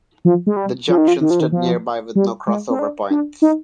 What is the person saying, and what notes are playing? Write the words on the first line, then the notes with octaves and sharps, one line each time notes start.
The junction stood nearby with no crossover points.
F3
G#3
G3
F3
D#3
F3
D#3
F3
D#3
F3
G3
G#3
C4
D4
D4
D#4